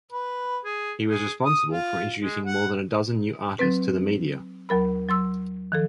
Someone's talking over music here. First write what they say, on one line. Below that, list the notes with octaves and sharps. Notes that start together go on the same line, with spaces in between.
He was responsible for introducing more than a dozen new artists to the media.
B4
G#4
G#4
D#6
F4
G#3
F#5
F#3 C4 B4
D#2 F#3 A#4 B5
F#3 C6 E6
D#3 F3 A4